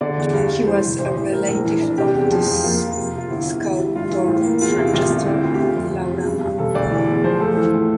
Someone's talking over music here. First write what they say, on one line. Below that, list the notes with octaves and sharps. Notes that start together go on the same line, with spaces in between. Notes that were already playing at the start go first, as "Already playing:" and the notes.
He was a relative of the sculptor Francesco Laurana.
D3 D5
E2
G2
G2
E3 C5
F1
A1 C5
E3
A2 A#4
A#1
E3
D4
C3 G4
E2
F3
F2
A#3 F4
A#3
C3
C3
F4
G1 E4
G1
E3
G3
G2 F4
E3
A2
A#3
E2 F4
C3 E4
A1 F4
D3
C4 E4
D2 F4
G4
D3 F4
F2
C3
E2
G2
G2
E1 A4
D2 D5
E3
E2
F3 C5
A3 A4
E3 A4
A2